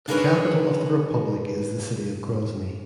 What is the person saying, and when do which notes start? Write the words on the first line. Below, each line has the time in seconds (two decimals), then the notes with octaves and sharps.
The capital of the republic is the city of Grozny.
0.08 D4 D#4 G#4 A#4 B4 C#5